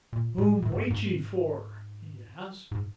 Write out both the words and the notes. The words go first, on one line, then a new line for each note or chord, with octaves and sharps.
'Whom wait ye for?' he asked.
A#2
A2
A2
G#2
G2
G#2
G#2